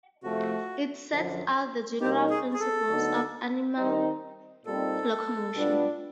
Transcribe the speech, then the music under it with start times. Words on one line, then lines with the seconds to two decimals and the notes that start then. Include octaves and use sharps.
It sets out the general principles of animal locomotion.
0.23 C3 F3 A3 F#4
1.12 F#2 D3 F3
2.01 B2 G3 A#3 D#4 G4
2.30 G#4
2.54 G#4
2.60 A4
2.89 D2 D3 F#3 B3 D#4
3.77 D#3 G3 C4 D#4
4.66 A#2 G3 C4 D#4 A4
5.54 B2 G3 B3 D4 F4